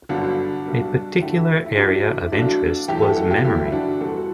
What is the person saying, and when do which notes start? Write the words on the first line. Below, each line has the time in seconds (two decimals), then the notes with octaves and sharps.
A particular area of interest was memory.
0.09 G1 F#2 D3 D4 F#4
0.66 B1 B2 G3
1.21 D2 D3 A3 E4 G4
1.66 E4
1.77 F#2 F#3 A3 D4 F#4
1.95 D4
2.05 E4
2.32 B1 B2 A3 D4 F#4
2.88 E2 B2 F#3 A3 E4 G4
3.02 F#4 A4
3.17 F#4 A4
3.30 E4 G4
3.44 G1 F#2 E3 G3 E4
3.72 D4 F#4
4.01 E2 C3 E3 G3 F#4 A4